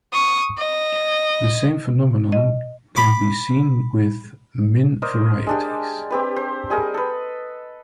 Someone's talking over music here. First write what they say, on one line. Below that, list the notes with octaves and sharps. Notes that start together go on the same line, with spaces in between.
The same phenomenon can be seen with Min varieties.
C#6 D#6
D#5
D#5
B5 D6
A#4 C5 D5 D#5
G#3 D4 G4
C4 G4 B4
C5
G3 G#4 A#4 D#5
A4 B4